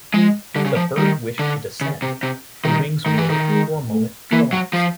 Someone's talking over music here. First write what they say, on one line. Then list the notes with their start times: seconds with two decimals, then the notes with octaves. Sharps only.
If the bird wished to descend, the wings were for a moment collapsed.
0.14 F3 G#3
0.56 D3 G3
0.65 C#3
0.76 F3
0.97 D#3 G3
1.39 D3
1.81 C#3
2.02 C3
2.23 C3
2.65 D#3 G3
3.06 D#3 A3
3.18 E3
3.30 D#3
3.49 G#3
3.90 A3
4.32 E3 A#3
4.53 F#3
4.73 F3